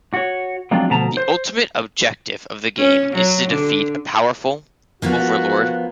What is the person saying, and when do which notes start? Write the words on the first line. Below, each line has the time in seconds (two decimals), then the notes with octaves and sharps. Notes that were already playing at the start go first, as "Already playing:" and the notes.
The ultimate objective of the game is to defeat a powerful "Overlord".
0.14 F#4 C#5
0.71 F3 F#3 G#3 C4 D4 F4
0.90 D2 B2 F3 A5 A#5
1.17 C5
2.78 C#4
3.13 F#3
3.49 D3
5.02 F3 A#3 B3 F#4